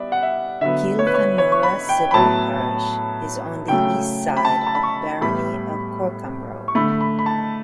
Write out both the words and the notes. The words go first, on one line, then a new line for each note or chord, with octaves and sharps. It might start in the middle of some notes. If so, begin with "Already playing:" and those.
Kilfenora civil parish is on the east side of barony of Corcomroe.
Already playing: G3 B3 D5 E5
F#5
E5
D3 F#3 B3 E5
C#5
B4
C#5
C#5
C#6
B5
G5
B5
A2 F#3 B3 A5
C#3 F#3 A3 G5
B5
A5
A5
B5
C#6
A2 G3 B3 B5
C#6
D3 A3 B5
B5
B5
A5